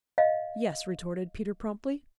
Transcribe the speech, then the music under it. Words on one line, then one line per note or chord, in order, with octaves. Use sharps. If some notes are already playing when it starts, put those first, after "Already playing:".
"Yes," retorted Peter promptly.
D#5 F5